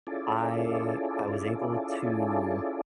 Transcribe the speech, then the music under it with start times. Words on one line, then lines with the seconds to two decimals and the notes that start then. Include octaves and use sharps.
I I was able to
0.07 C#4 E4 F4 G#4 A4 D5